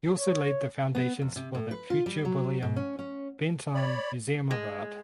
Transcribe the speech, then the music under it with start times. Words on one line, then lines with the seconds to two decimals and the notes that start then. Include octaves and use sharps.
He also laid the foundations for the future William Benton Museum of Art.
0.18 C#5
0.95 B3
1.22 E2
1.36 C3
1.55 A2
1.71 B4
1.90 F4
2.06 G3
2.25 F#3
2.62 G#2
2.76 C#4
2.99 C#4
3.75 C#5 D5 B5
4.51 G#3